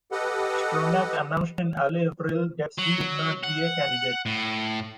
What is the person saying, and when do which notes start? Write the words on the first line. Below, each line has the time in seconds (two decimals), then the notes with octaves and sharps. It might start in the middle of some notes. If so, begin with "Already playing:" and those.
Stronach announced in early April that she would not be a candidate.
0.12 G4 A4 B4 D#5 F#5
2.78 F#3
3.44 F#5
4.26 A2